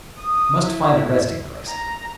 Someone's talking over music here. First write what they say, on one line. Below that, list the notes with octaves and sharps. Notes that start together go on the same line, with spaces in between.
I must find a resting place.
D#6
E4
A#5